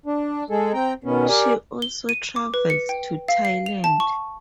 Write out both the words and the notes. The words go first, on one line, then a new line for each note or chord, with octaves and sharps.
She also travelled to Thailand.
D4
G#3 G#4 A4
C4 G5 A#5
B2 D#3 B3 C#4
G4 A#4 D5 G#5
G7
D#7
D6
B4
C#7
G5
F5
C7
F7
A5
C#6